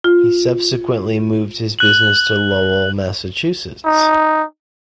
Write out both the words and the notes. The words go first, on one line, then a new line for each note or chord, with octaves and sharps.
He subsequently moved his business to Lowell, Massachusetts.
F4
F#6 F#7
D#4